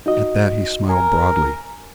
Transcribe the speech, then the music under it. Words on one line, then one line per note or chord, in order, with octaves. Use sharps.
At that he smiled broadly.
D#4 F#4 D#5
A#4 G#5